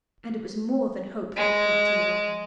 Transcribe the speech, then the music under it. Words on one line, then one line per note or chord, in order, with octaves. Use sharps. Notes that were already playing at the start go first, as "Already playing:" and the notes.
And it was more than hope that it brought to Yvonne.
G#3